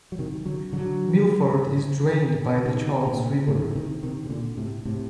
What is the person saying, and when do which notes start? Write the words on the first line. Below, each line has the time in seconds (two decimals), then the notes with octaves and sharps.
Milford is drained by the Charles River.
0.12 F#3
0.19 C3 D#3
0.46 D3 F#3
0.73 D3 F#3
2.65 C3 D#3
3.07 A#2 D3
3.48 A2 C3
3.75 C3 D#3
4.03 C3 D#3
4.26 C3
4.30 A#2 D3
4.57 A2 C3
4.85 A2 C3